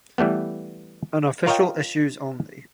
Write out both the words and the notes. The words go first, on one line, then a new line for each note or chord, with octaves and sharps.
Unofficial issues only.
E3 G3 A3 B3
F4 A#4 C#5 D#5 F5 G5